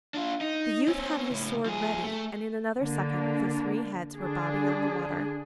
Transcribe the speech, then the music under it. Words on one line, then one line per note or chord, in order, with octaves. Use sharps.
The youth had his sword ready, and in another second the three heads were bobbing on the water.
D4 F4
D#4
C4 C#4
C#2 A2
F3 G#4
A3
D3 A#3 D4
D3 D4 G#4